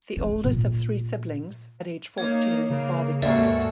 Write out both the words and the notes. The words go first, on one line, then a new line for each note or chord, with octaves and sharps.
The oldest of three siblings, at age fourteen his father died.
C4
A#2
A#3 D#4 C#5
C#3 A#3
D#2 G#2 A#3 F#4 A4 D5 E5